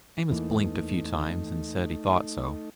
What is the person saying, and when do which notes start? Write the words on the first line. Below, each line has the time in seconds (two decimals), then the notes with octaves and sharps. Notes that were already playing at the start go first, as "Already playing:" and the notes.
Amos blinked a few times and said he thought so.
0.30 E2 E3 A3 A#3 D#4